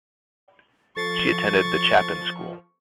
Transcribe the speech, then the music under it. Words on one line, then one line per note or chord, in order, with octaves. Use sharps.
She attended the Chapin School.
F3 A4 C#6 A6 C7 C#7